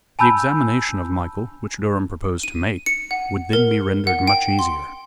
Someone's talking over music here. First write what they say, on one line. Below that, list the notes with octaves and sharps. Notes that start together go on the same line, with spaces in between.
The examination of Michael--which Durham proposed to make, would then be rendered much easier.
G#5 A5 B5 E6 G6
D#7
C#7
F#5
A#4
F#5
G5
C6